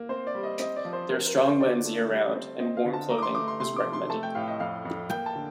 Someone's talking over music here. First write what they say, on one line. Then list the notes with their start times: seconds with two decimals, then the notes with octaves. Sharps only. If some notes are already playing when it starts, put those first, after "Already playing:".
There are strong winds year-round and warm clothing is recommended.
Already playing: A#3
0.09 C4 C5
0.27 D5
0.35 G3
0.43 D#5
0.59 C4 D#5
0.76 D5
0.85 F3
0.93 C5
1.09 C4 A#4
1.26 A#4
1.35 C4
1.43 C5
1.60 D3 D5
1.85 A3
2.10 G3
2.35 C4
2.59 C4 D#5
2.77 F5
2.85 D3
2.93 A5
3.09 A3 A#5
3.18 D6
3.22 C6
3.35 A3 D6
3.48 C6
3.60 C3 C6
3.76 D6
3.86 F3
3.93 C6
4.10 A3 A5
4.23 G5
4.35 A2 F5
4.48 D#5
4.60 F2 F5
4.85 F2
5.10 A#3 G5
5.26 A5
5.35 D3